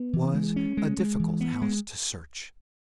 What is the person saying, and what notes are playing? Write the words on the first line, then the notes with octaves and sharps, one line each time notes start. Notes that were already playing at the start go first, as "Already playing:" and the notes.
It was a difficult house to search.
Already playing: B3
E3
G#3
C#4
G#3
G#3
E3
B3
G#3